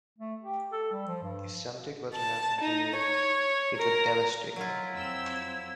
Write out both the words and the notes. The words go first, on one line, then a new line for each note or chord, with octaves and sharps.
If something were to happen to you, it would devastate me.
A3
G4
A4
G3
F3
G2
A5
D#4
C#5
A#4
F#3 E4 F4
F2 C4 E6